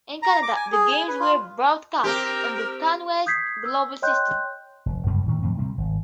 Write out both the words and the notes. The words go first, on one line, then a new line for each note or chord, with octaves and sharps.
In Canada, the games were broadcast on the CanWest Global System.
A#5
D6
G#5
G#4
G#5
B4
F4
C4 G4 A#4
D#6 G6 G#6 B6 C7
E6
C#5 D#5 G5 C6 F#6 G6
F1
F#2 C#3 G3 G#3
D2 A2 D#3
F2 A2 F3 C4
C3 G3 C4
G#1